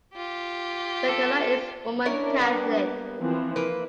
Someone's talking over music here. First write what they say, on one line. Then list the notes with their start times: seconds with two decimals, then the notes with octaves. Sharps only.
Begala is Roman Catholic.
0.15 F4 G4
1.09 A4
2.06 C#4 D4 E4 A#4
2.39 G3 A#3 B3
3.20 E3 F3 C4
3.56 A#3 E4 B4